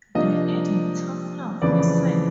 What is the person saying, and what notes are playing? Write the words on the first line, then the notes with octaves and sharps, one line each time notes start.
They needed "tough love", he said.
C3 F3 A#3 D4 D#5
F2 C#3 E3 A3 D5